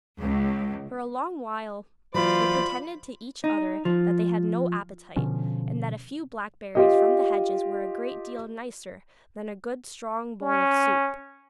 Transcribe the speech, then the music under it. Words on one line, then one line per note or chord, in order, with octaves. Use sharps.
For a long while whey pretended to each other that they had no appetite, and that a few blackberries from the hedges were a great deal nicer than a good strong bowl of soup.
C#2
E3 F#3 A#3 F4 C5 D5 B5
D#4
F3
B2 D3 F3 C#4
F4 G4 D#5
C#4